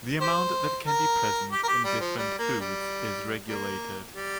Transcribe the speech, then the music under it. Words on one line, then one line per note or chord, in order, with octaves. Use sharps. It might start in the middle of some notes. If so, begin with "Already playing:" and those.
The amount that can be present in different foods is regulated.
G4 C5
A#4
G4
A#4
G4
G3
F3
G3
A#3
G3
G3 A#3
G3